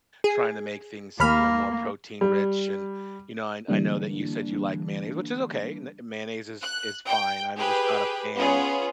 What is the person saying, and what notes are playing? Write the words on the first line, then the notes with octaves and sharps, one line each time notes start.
trying to make things, you know, more protein-rich, and, you know and I know that you said you like mayonnaise, which is okay, n mayonnaise is is fine, I'm just not a fan
G#4
D#2 A#3 B5 F6
G3
D3 E3 G3 A#3 D4
F#6
G5
G4 G#4 B4
B3 C#4 F4 G#4